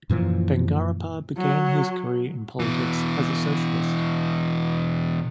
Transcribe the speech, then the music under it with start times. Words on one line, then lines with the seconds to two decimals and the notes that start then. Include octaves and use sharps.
Bangarappa began his career in politics as a socialist.
0.10 F#2 A#2 E3 F3
1.37 F#3
2.60 B2 E3